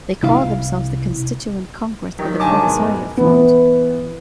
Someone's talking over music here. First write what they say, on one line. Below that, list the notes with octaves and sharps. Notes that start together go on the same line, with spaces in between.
They called themselves the Constituent Congress of the Polisario Front.
C2 E4 F5
D#3 F#3 G4 D5
D2 G2 F5 G#5 A5 D6
E2 G#2 B2
E3 B3